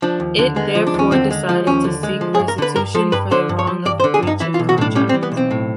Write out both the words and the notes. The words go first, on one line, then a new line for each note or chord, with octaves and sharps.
It therefore decided to seek restitution for the wrong of breach of contract.
F3 D4
D#2
D3
G#3 B3
F3
D4
D#2 C#4
D3 C4
G#3
F3
D#2 C#4
D3
G#3
F3
G#4
G2
A#4
D3 B4
G2 A#4
F3 A4
G2 B4
D3 C5
G2
C#5
F3
G2 D5
C5
D3
G#4
G2 D#4
E3 E4
F4
B1
F#4
A2 D4
G3 C#4
C4
E3
B3
B1
C4
A2